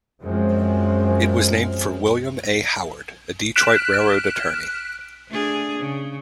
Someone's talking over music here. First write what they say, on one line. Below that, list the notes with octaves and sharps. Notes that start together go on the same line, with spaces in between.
It was named for William A. Howard, a Detroit railroad attorney.
F#2 F3 G#3 C4
F6 F#6 B6 D7 E7
A3 D4 G#4
C#3